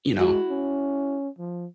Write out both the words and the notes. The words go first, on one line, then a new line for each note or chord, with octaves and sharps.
you know,
G#3 E4 F#4
C#4
F3